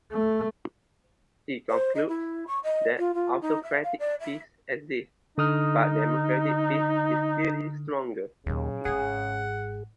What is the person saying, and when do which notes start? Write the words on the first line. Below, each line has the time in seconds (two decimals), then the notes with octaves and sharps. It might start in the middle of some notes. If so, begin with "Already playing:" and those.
He concludes that autocratic peace exists, but democratic peace is clearly stronger.
0.12 A3
1.69 C5
1.94 D#5
2.07 E4
2.47 C#6
2.63 D#5
2.97 F4
3.14 F4
3.41 D#4
3.63 E5
3.83 F5
3.99 D5
4.20 E5
5.38 D3 D#4 D#6 F6
8.46 D#2 A#2 C#3 F#3
8.85 G#1 G#2 G#4 F#5